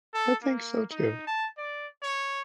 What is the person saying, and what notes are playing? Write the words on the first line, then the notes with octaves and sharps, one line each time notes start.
I think so too.
A4
A#3
D#4
A5
D5
C#5